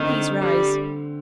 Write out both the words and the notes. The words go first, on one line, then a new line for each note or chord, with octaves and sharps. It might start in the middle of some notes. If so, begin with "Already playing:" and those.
Please rise.
Already playing: D3 D#3 A3 C4
G3